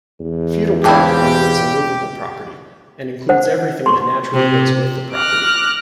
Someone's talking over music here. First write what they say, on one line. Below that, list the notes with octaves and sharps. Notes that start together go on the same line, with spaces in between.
Feudal property means immovable property, and includes everything that naturally goes with the property.
E2
G#2 C#3 E4 G4 G5 A5 D6
C5 F#5
C6 C#6
C3
D6 F6 F#6 A#6